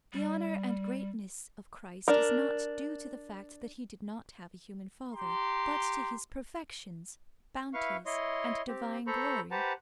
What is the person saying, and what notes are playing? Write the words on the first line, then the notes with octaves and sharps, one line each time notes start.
The honor and greatness of Christ is not due to the fact that He did not have a human father, but to His perfections, bounties and divine glory.
G3
D4 A#4
G4 A#5 C6
E4 B4 F5 C#6
E4 C#5 D#5 C6
C4 G4
A4 C5 A#5 B5 C#6
G4 B4 C5 F#5 A5 A#5